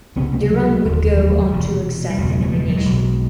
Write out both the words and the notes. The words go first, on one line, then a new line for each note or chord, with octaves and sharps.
Durand would go on to accept the nomination.
C#2 C3 B3 C#4
A#3 C4
G3 A3
F#3 G#3
F1 D#2 D3
F#3 G#3
G3 A3
F#3 G#3
E1 E2 C3
G3
F#1 E2 B2 F#3 G#3
F#3 G#3
G3 A3
F3 G3
G#3
F3 G3
F#3 G#3
B1 B2